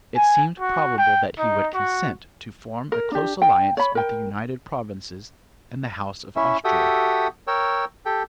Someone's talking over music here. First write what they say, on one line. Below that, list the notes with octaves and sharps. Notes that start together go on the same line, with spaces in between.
It seemed probable that he would consent to form a close alliance with the United Provinces and the House of Austria.
G#5
F#4
G5
D#4
F#4
A#4
D4 G4
G5
C#5 B5
A#4 G5
C#4 E4 E5
F#4 G4 A4 E5 G5 D#6
A#4 C#5 G5 E6
G4 A4 G5